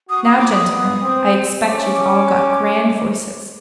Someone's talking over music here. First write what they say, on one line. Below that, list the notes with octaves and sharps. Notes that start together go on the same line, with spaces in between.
Now, gentlemen, I expect you've all got grand voices.
F#4 D#6
D#6
F4 D6
D#6
B3
C4
C#4 D6